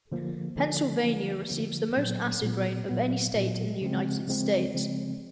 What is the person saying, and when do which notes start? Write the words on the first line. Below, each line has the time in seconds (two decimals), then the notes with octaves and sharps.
Pennsylvania receives the most acid rain of any state in the United States.
0.12 D3 F3 A#3
0.57 D3 F3 A#3
1.03 D3 F3 A#3
1.50 D3 F3 A#3
1.97 A#2 F#3 B3
2.42 A#2 F#3 B3
2.89 A#2 F#3 B3
3.35 A#2 F#3 B3
3.82 C#3 F3 G#3 C4
4.27 C#3 F3 G#3 C4
4.74 C#3 F3 G#3 C4